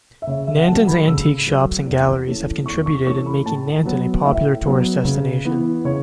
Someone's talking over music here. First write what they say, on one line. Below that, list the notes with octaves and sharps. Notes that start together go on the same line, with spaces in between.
Nanton's antique shops and galleries have contributed in making Nanton a popular tourist destination.
E5
C#3 C#5
E5
F#5
F#3 A3 A5
B5
C#3 E6
F#3 A3
E2
E3 A3 C#4
E2 C#6
C#6
E3 A3 C#4 C#6
B5
A2 A5
F#3 B3
A2 E5
F#3 B3
C#3
E3 B3
C#3 C#5